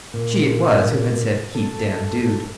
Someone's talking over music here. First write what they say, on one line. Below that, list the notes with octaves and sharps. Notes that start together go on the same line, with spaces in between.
She it was who had said "Heap dam dood."
A#2
A4